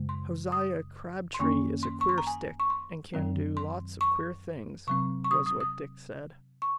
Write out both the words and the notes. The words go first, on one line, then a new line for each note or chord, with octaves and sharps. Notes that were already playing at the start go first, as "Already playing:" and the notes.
"Josiah Crabtree is a queer stick and can do lots of queer things," was what Dick said.
Already playing: F#2 C#3 G#3
C6
D#6
C6
F#2 D#3 A#3 C#4 C#6
C6
C#6
C6
A#5
G#5
C#6
C6
F#2 D#3 F#3 C4
C6
C#6
C3 F#3 C4 C#6
C#6
D#6
D#6
D#6
C#6